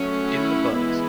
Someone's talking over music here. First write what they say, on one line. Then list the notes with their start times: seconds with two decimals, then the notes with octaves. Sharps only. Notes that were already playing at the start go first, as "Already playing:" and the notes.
In the Buzz!
Already playing: F#3 A3 C#4
0.30 E4
0.75 E3 G#3 B3